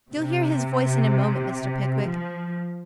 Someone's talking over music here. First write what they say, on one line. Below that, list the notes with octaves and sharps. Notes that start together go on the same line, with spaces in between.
You'll hear his voice in a moment, Mr. Pickwick.
C3
F3